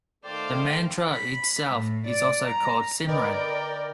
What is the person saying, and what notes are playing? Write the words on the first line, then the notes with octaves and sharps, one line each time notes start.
The mantra itself is also called Simran.
D#3 A3 A4 C5 D5 F5 G5
B5
A2
D5
A#5
D3 A#4 B4 D5 D#5 G5